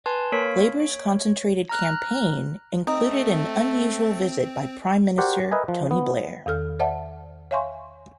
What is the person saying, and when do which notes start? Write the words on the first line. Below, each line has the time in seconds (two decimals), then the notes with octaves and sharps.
Labour's concentrated campaign included an unusual visit by Prime Minister Tony Blair.
0.06 B4 G#5 A5 C6
0.32 A#3 A#4 C#5 B6
0.80 C#5
1.69 A#5 F6 F#6
2.87 A3 C4 D#4
5.18 F#4 G4 A#4 C5 D5 F#5
5.51 A#4 B4 D#5 E5 G#5
5.68 F3
5.91 B3
6.46 E2 D#3 A4 F6
6.79 C5 D5 E5 F#5 A5
7.51 C#5 E5 F5 G#5 C6 C#6